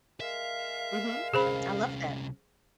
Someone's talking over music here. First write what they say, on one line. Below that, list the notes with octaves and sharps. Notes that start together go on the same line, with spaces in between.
Mhm, I love that.
G#3 A#4 E5 F5
C2 C#4 G#4 C5 B5